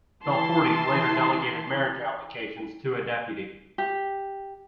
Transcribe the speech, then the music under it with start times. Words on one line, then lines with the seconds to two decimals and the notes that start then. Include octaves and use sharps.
Belforti later delegated marriage applications to a deputy.
0.25 E3 A5 C6
3.78 G4